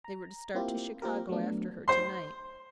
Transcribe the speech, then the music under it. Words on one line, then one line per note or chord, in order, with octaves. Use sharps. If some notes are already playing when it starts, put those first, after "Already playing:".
They were to start to Chicago after her to-night.
A#5
A#3 C4 E4 F4 G4
A#3 C4 F4 G4 A#4
F#3 A3 B3 D4
C5 C6